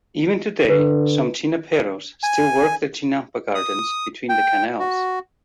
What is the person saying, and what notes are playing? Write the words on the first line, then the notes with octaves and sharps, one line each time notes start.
Even today, some "chinamperos" still work their chinampa gardens between the canals.
D3 B4
G#5
D#6
G5
F#4